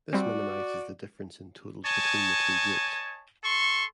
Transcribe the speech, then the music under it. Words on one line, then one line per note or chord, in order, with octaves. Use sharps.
This minimizes the difference in totals between the two groups.
G3 C4 F#4 D5
C#5 D#5 G#5 A5
A4 C6 C#6